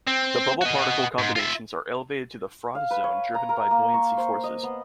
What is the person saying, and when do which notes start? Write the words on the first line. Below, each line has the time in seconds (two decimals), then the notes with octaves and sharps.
The bubble-particle combinations are elevated to the froth zone driven by buoyancy forces.
0.07 C4
0.61 F#4 D#5
1.19 G#2
1.36 F4 E5
2.75 F5
2.91 B4
3.04 C#5
3.34 A#5
3.49 A#4
3.71 A#3
3.94 C#6
4.17 C5
4.44 D#5
4.63 B3